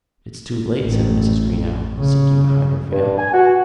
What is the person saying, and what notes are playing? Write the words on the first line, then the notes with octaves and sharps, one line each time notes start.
"It's too late," said Mrs. Greenow, sinking behind her veil.
A1
C#3
G2
G#5
F#4